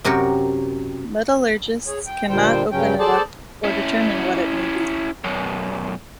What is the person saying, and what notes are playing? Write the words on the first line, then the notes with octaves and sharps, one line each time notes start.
Metallurgists cannot open it up or determine what it may be.
F#2 C3 F#4 G4 A#4 C#5
G#4 C#5
G5
A#2 D3 G3 C5 G5
G2 C#3 F#3 C#4 G5
G#4 A4 C5 D5 A5
C#4 E4
B1 F#2